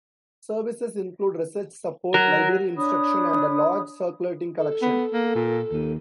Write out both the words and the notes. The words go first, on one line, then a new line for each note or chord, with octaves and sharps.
Services include research support, library instruction and a large circulating collection.
F#3 A#4
D4 C#5 B5 D#6
A4
B3
A#3
A#2
D#2